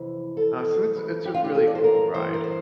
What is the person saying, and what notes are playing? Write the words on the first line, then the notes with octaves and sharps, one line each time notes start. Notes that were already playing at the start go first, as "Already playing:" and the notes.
Uh, so, it's a it's a really cool ride.
Already playing: F2 C3 E3
A4
F2 E3
G4
F4
G4
A4
D5
C5
A#4
G2 E3 C5
A#4
C5